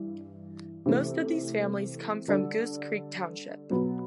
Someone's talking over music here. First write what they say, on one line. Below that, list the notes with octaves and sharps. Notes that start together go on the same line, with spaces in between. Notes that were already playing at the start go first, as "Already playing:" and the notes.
Most of these families came from Goose Creek Township.
Already playing: G2 E3
C3 E3 A3
D3 G3 D4 A4
B2 F#3 B3